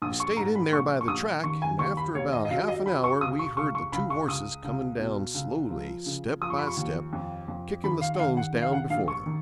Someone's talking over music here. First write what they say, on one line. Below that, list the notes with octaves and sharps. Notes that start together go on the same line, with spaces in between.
We stayed in there by the track, and after about half-an-hour we heard the two horses coming down slowly, step by step, kicking the stones down before them.
A#1 D#6
C#6
G#2 A#5
B5
A#1 C#6
C#6
A#1 D#6
D#3 C#6
G#5
D#2 C#6
B5
D#2 C#5
D#5
D#5
F#3 F5
D#5
F#3 B5
C#6
C#2 D#6
C#6
C#2 C#6
C#6
C#2 B5
C#6
C#2 D#6
C#2
B2
C#2
F3
C#3
F3 D#6
C#6
B5
C#6
D#2
F2
F2
D#3 B5
F5
F#5
D#3 F5
F#5
D#3
F5
F#5
A#1 F5
C#6
D#3